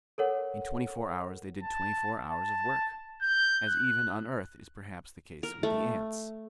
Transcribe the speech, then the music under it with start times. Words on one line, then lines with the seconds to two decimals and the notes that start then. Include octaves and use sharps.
In twenty-four hours they did twenty-four hours of work, as even on earth is perhaps the case with the ants.
0.18 A4 A#4 C#5 F#5
1.62 A5
2.30 A5
3.22 G6
3.68 F#6
5.43 A#4
5.63 A3